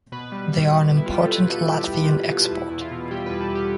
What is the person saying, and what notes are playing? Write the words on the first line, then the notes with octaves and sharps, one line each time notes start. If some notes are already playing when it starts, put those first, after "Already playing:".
They are an important Latvian export.
B2 B4
G3
G3
B2
B2
E4
F4
G3 G4
A4
G3 B4
B2 A4
B2 G4
G3
G3
B2
E2 E4
E2
F4
B2
G3 G4
E2 B4
A4
E2 G4